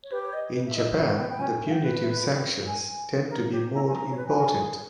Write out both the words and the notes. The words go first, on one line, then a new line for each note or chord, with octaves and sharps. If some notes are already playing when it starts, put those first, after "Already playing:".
In Japan the punitive sanctions tend to be more important.
C#5
G4 B4
C#5
D#5
B4
E5
E4 D#5
C#4 E5
B3 G5
G5
C#4 G#5
E5
G5
B4
E5
G5
G#5
A#4
G4 C#5
E4 A#5
G#5
A#5
C#5
B4
G#5
A#4
G#4